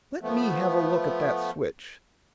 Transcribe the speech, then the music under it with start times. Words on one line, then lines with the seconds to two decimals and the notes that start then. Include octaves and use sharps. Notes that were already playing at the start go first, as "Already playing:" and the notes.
"Let me have a look at that switch."
0.23 F3 A3 B3